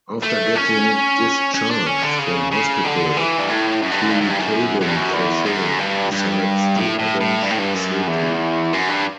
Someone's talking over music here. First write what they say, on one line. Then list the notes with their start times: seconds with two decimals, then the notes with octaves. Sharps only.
After getting discharged from hospital, Keerikadan Jose decides to avenge Sethu.
0.23 A3
0.56 C#4
1.54 C#4
1.71 D4
1.87 C#4
2.03 D3
2.19 C#3
2.51 C#3
2.85 D3
3.17 E3
3.38 G2
3.50 A2
3.82 F#2
3.92 G2
4.02 F#2
4.10 G2
4.21 F#2
4.30 G2
4.39 F#2
4.81 F#2
4.88 G2
4.96 F#2
5.13 E2
5.46 F#2
5.78 G2
6.12 G2
6.76 A2
6.99 A2
7.20 A2
7.42 G2
7.51 A2
7.58 G2
7.74 F#2
8.07 E2
8.73 F#2
8.89 G2